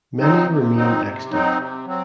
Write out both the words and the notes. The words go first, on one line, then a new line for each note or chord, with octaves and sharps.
Many remain extant.
F#3 C4 D#4
C3
F#3 C4 D#4
C3
F#3 C4 D#4
C3
F#3 C4